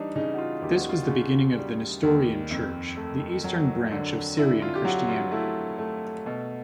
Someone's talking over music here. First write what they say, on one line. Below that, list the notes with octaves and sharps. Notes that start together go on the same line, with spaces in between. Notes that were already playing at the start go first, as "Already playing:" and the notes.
This was the beginning of the Nestorian Church, the eastern branch of Syrian Christianity.
Already playing: E3 G3 D4 D#4
C#3 D#4
F#4
F4
D#2 G4
F#4
F4
F#4
C#3
G3
D#2
F2
A3
F#3
D3
D3 E4
F4
G4
F#3 F#4
F4
A3 E4
A3
B2